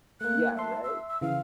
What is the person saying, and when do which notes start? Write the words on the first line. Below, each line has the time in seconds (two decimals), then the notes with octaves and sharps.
Yeah, right?
0.21 A3 A#3 F#6
0.57 E5 A5 C6
0.84 E6
1.09 E6
1.21 C#3 E3 F5